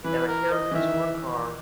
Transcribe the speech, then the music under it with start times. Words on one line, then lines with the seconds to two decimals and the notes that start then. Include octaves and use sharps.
and I carried them to her car
0.04 E3 B4
0.28 A#4
0.52 D#5
0.71 E3
0.75 D#3 E5